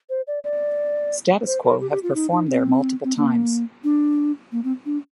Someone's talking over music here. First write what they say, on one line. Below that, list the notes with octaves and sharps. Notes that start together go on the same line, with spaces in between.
Status Quo have performed there multiple times.
C5
D5
D5
C5
A#4
G4
G4
F4
D#4
D#4
C4
C4
A#3
D4
A#3
C4
D4